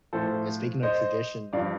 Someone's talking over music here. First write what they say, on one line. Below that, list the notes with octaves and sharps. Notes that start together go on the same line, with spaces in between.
eh, speaking of tradition,
A2 F3 A4 C5
C5 D#5
G2 F3 D5 F5